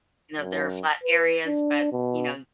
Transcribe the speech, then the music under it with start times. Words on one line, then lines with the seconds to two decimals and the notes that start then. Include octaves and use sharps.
you know, there are flat areas, but, you know
0.39 F#2
1.04 B4
1.47 D4
1.92 B2